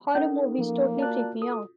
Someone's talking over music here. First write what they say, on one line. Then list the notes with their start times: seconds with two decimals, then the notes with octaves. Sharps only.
Horror movies totally freak me out.
0.15 C#4 D#4 A4 A#4
0.58 F3 A#3
0.98 F4 F#4 D5 A5 F#6
1.42 A4 D#6